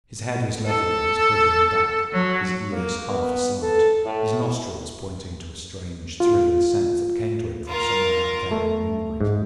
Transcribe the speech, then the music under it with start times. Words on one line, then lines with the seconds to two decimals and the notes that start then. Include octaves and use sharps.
His head was level with his quivering back, his ears half aslant, his nostrils pointing to a strange thrilling scent that came to him from somewhere out there in the moonlight.
0.66 A4
2.12 F#3
2.73 A#3
3.09 B3
3.62 A4
4.05 A2
6.20 F4
7.68 F4 A#4
8.51 A3
9.21 G#2